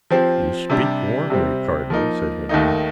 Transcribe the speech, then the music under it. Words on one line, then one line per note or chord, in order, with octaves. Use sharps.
"You speak warmly, cardinal," said Henry.
F3 C4 G4 C5
C3 G3 D4
C3 G3 C4
F3 A#3 D#4
D#2 D#3 A3 D#4